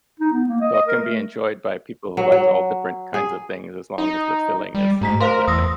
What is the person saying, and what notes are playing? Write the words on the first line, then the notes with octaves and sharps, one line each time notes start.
So it can be enjoyed by people who likes all different kinds of things as long as the filling is in that thing.
D#4
B3
A#3
D#5
D#5
A#4
A3
F#3
F#3
G#4
D#4
G3
G#2 A3 A#5 B6
A#4 C5 F5 C6
E2 D#6 E6 A#6